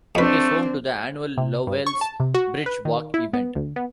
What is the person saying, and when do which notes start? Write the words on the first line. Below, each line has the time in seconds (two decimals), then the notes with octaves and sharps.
It is home to the annual Lovells Bridge Walk event.
0.15 F2 A3 C4 D4 B4
1.38 C3
1.67 G2
1.87 C#6
2.01 A5
2.20 C3
2.34 F#4
2.66 B4
2.85 D#3
3.14 E4
3.33 B3
3.55 D2
3.76 B3